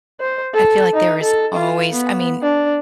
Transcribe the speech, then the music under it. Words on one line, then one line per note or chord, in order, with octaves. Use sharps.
I feel like there is always I mean,
C5
A4
D#4
A4
F4
B3
D4